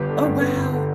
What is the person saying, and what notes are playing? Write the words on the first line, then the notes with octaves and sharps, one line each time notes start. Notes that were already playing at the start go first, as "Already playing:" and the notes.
Oh, wow.
Already playing: G1 G2 B3 G4
D3
G2
B3
G1
D3